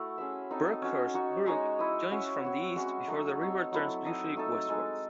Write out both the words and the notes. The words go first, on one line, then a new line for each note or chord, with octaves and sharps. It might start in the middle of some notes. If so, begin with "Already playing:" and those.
Brockhurst Brook joins from the east before the river turns briefly westwards.
Already playing: A3 E4 F#4
C#4 G#4 C5 E5
C4 D#4 A4
C#4 F#4 C#5
D#4 F#4 C#5
G#3 D#4 F#4 C#5
E4 C5 D#5
C#4 F#4 C#5 E5
C4 F#4 C#5
G#3 C#4 F#4
F#3 A3 D#4
C4 D#4 A4 C#5
F#3 C4 E4 A4
D#4 A4 D#5
A3 D#4 A4
G#3 D#4 A4